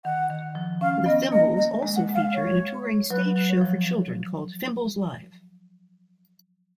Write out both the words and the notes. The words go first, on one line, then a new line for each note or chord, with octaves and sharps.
The Fimbles also feature in a touring stage show for children called Fimbles Live!
D#3 F#5
D#3
F3
C#4 F5
B3 D#5
A#3 D#5
D#5
G#3
F#5
G#3
F5
C#5
F#3 B4
F#3
C#5
F3